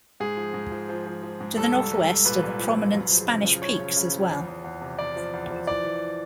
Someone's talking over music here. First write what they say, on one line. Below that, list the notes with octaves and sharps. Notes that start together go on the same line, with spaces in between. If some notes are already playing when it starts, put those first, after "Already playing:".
To the northwest are the prominent Spanish Peaks as well.
G#2 G#4
F3
G#2
F3
F3
F3
F3
G#2
C2 A4
C2
C2
C2
A#2 B4
C2
F3
C2
F#2
F3
C#3
F3
C#3 C#5
C#3
C#3
F3
E2
E2
E2
C3
E2 D5
F3
E2
F3
E3 D5
E3